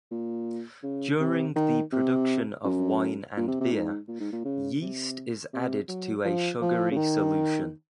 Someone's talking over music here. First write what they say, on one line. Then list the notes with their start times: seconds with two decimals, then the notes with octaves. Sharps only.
During the production of wine and beer, yeast is added to a sugary solution.
0.11 A#2
0.83 C#3
1.20 C3
1.56 D#3
1.92 C3
2.64 F#2
3.37 A#2
3.47 C3
3.61 C3
3.72 G#2
4.07 A#2
4.20 G#2
4.32 A#2
4.45 C#3
4.81 C3
5.53 C3
5.88 F#3
6.25 F3
6.61 F3
6.91 C#3
6.96 D#3